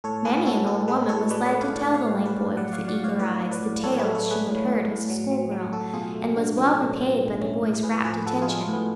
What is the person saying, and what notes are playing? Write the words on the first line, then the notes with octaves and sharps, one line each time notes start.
Many an old woman was led to tell the lame boy with the eager eyes the tales she had heard as a schoolgirl, and was well repaid by the boy's rapt attention.
A2 A4 C#5
A2 G#4 B4
A2 F#4 A4
A2 F#4 A4
G#3 G#4 B4
A2 A4 C#5
G#3 B4 D5
D5 F#5
G#3
C#5 F5
A2
D5 F#5
A2 C#5 F5
A2
B4 D5
A2
F#3 D5 F#5
C#5 F5
F#3
D5 F#5
A2
C#5 F5
A2 B4 D5
A2
B4 D5
A2
A2 A4 C#5
G#4 B4
A3
A4 C#5
A3
G#4 B4
A2
A2
A2
F#3
F#3
F#3
F#3 F#4 A4
B2 F4 G#4
A3
A3 D4 F#4
F#3 C#4 F4
B2 C#4
B2 C#4
A3 B3
A3 C#4
A2
A2 G#4 B4
F3 G#4 B4
F3 F#4 A4
F4 G#4
G#3
A2 B3